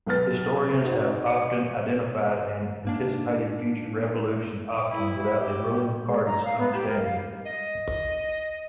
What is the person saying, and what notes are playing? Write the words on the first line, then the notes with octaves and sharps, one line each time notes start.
Historians have often identified an anticipated future revolution, often without the ruling party's understanding.
B1 B3 B4 F6 A6
D#4 F#4 C5
C#5 C#7
G#2 A#3 D4
E4
G4
G#3
A#5
F5
B3
G4
A#4
F5
D#5